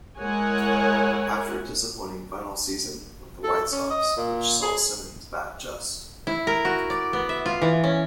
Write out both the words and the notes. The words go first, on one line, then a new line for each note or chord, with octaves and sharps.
After a disappointing final season with the White Sox which saw Simmons bat just.
G#3 E4 A#4 C#5 F#5 G#5
A4
C#4
D#5
A#2
G#4
E4
A#4
F#4
D5
B3
E5
F4
E3
C#4